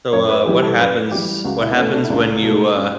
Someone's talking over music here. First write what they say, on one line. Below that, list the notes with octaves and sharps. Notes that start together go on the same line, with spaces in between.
So, uh, what happens what happens when you, uh,
F#2 C#5
B4
E3 G3 G4
A4
F#2 B4
E3 G3 G4
C#2 F#4
E4
B3
B2 A3 C#4
D4
E4
C#2 D4
B2 A3
C#4